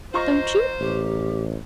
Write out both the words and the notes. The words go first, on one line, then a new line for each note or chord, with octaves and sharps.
Don't you?'
F4 C5 D#5 A#5 C#6
A1 G4